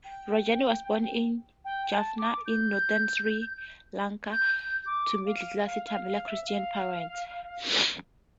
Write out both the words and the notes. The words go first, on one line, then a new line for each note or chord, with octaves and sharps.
Rajani was born in Jaffna, in northern Sri Lanka, to middle-class Tamil Christian parents.
G5
G5
A5
D6
G6
G6
G6
D6
F5
F5
F5
F5
E5
F5